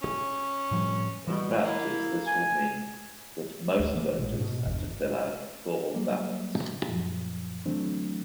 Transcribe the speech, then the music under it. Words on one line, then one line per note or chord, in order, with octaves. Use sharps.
In practice this will mean that most voters had to fill out four ballots.
C#4
A2 F3 G3
B2 E3 G3
A#3 E4
G#5
D2
E3 A3 A#3
A1 B2 G#3
G#2 B2
G1 E2
F#3 G3 A#3
F#2 A#2 F3
D3 E3 F#3 A3 C4 D4